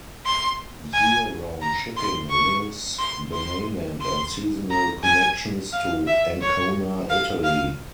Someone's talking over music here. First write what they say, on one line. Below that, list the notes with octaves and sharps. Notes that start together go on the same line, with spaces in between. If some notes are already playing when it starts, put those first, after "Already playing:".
Year-round shipping links the mainland and seasonal connections to Ancona, Italy.
C6
G#5
A#5
C6
C#6
C6
C6
C6
A#5
G#5
F5
E5
C#5
F5
F5